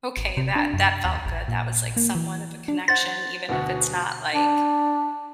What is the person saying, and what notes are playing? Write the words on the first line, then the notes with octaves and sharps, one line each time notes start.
"Okay. That that felt good." That was, like, somewhat of a connection even if it's not, like,
G#1
C3
D4
F#2
D#2
A1
A#2
A#3
E3
D4
C5 F#5 A6
D2 B2 F#4
D4